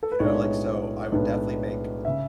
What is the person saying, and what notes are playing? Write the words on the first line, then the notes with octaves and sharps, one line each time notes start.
you know like, so I would definitely make a
A4
B4
B1 A2 G#3 B3 D4 C#5
B1 A2 G#3 B3 D4
C#3 E5